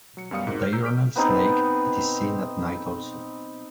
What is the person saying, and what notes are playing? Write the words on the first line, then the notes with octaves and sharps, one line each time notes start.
A diurnal snake, it is seen at night also.
F#3 C#7
F#2 B2 G3 F5 D#6 C#7
G#1 G#2 F#4 A#4 C#7
C5 F6 G6
A#5 E6 G6
F6 B6 D7
B3 C4 D#4 G#4